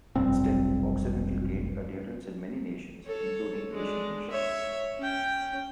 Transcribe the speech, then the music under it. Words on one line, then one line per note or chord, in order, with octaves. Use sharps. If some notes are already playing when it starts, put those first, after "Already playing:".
Still, Occidental gained adherents in many nations including Asian nations.
F1 B1 G2 C4
A4 C#5
G#3 D4
C#5 E5
C#4 G5